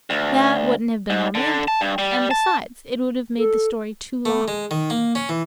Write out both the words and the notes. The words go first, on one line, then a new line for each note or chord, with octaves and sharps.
"That wouldn't have been romantic, and, besides, it would have made the story too long."
D2
G#2
D3
A5
G2
G3
A5
A4
A3
G#3
D#3
A#3
C#4
E3